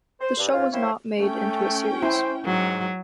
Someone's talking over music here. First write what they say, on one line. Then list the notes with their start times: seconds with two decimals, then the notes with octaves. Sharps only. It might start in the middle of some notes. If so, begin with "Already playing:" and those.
The show was not made into a series.
0.20 C5
0.37 G2
0.53 G#2 F4 F6
0.72 A#3 E4 G4 C5 C#5
1.20 A3 C#4 G5
2.02 E4 C5
2.45 G#2 F#3